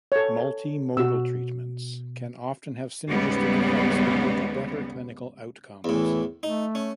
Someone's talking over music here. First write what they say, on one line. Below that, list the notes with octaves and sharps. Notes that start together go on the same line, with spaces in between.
Multimodal treatments can often have synergistic effects leading to better clinical outcomes.
A4 C#5
B2 F#4 E6
D#2 G#2 C#3 G3 B3
E2 A2 E3
A3 D#4
C#4